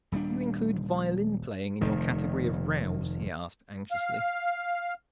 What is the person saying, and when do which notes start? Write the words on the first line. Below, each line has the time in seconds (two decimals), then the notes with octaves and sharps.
"Do you include violin-playing in your category of rows?" he asked, anxiously.
0.12 D#1 G3 A3 D4
1.81 F1 D#3
3.91 F5